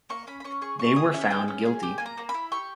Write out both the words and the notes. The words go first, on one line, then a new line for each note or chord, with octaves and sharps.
They were found guilty.
A#3 C#6
C#4 B5
B5
C#4 C#6
G#4 C#6
C#4 C#6
G#4 D#6
C#4 E5
G#4 G5
C#4
G#4
G4 G5
A#3 G#5
A#5
A#3
B5
E4
G4 C#6